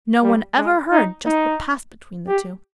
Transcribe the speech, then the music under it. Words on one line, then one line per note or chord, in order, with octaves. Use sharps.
No one ever heard just what passed between the two.
G3
G#3
D#4
D#4
G4